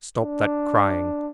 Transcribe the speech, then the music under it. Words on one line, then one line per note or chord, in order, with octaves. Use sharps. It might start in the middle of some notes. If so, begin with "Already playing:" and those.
'Stop that crying.
D4